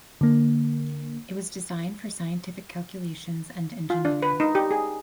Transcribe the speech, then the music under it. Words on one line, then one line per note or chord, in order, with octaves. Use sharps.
It was designed for scientific calculations and engineering.
D3 A#3
F4
D4
B4
D#4
G4
G#4